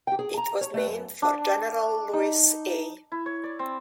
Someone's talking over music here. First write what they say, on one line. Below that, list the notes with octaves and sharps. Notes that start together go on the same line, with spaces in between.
It was named for General Lewis A.
G4 G5
G#4
A5 A#5
C#5
A3 B4
F#2
D4
D#4
E4
C#5
D5
C4